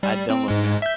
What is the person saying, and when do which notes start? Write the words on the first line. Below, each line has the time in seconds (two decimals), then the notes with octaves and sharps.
I don't wanna.
0.03 G3
0.30 C4
0.48 G#2 G#3
0.82 E5 G6